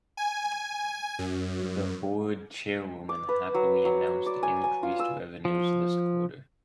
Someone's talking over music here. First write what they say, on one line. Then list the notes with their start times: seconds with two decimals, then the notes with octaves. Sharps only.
The board chairwoman happily announced increased revenues this quarter.
0.17 G#5
1.19 F#2
3.09 D6
3.29 B4
3.54 F#3
3.85 F#3
4.26 D5
4.43 G#5
4.64 G#5
4.83 F4
4.99 E6
5.45 F3